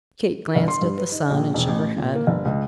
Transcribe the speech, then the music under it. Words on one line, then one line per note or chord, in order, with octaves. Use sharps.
Kate glanced at the sun and shook her head.
G1
C6
G2
B4
D#4
A#1
E1
A1
A#2
A#3
G1
C#2